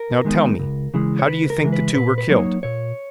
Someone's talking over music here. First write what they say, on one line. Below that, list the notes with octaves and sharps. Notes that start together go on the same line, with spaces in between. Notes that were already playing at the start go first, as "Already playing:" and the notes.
"Now, tell me, how do you think the two were killed?"
Already playing: A#4
D#3 G#3 B3 D#4
C#2
C#3 E3 G#3
C#5
C#2 B4
A#4
C#3 E3 G#3
B4
A#2 B4
B4
F#3 A#3 D#4 C#5
A#2 C#5